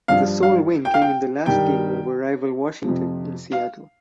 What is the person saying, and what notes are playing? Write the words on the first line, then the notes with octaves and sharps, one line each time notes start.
The sole win came in the last game over rival Washington in Seattle.
G2 F3 F5
F5
G5
F5
G5
G2 D#3 G3 G5
F2 C3 F3
F5